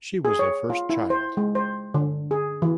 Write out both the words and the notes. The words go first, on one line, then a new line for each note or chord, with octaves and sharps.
She was their first child.
G#4
C#5
F4
E4
C5
G#3
C5
D3
G#4
E3